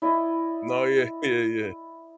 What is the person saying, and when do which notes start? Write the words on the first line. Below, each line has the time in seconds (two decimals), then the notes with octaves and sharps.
No, yeah, yeah, yeah.
0.02 E4 D5 D#5